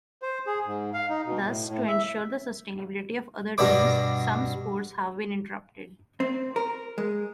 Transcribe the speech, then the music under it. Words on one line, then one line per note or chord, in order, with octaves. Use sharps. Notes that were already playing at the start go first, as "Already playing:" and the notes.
Thus, to ensure the sustainability of other teams, some sports have been interrupted.
C5
G#4
G#2
F5
D#4
B2
A2
A2
E5
G2 B2 B3 D4 B4 D6
C4
A#4
G#3